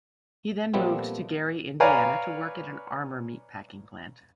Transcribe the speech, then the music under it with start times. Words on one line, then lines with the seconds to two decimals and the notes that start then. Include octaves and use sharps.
He then moved to Gary, Indiana, to work at an Armour meat-packing plant.
0.74 A#2 F3 G3 A3 B3 C4
1.80 B4 C#5 D5 F5 G#5 A#5